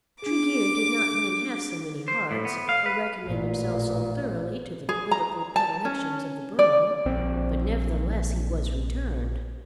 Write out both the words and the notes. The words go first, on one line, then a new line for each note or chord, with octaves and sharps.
Tregear did not win half so many hearts, or recommend himself so thoroughly to the political predilections of the borough;--but nevertheless he was returned.
D4 G#4 D6
C5
A2
B3
F5
B4
A1 A#2
G#4
A#5
A5
C#4
D5
A#1 C4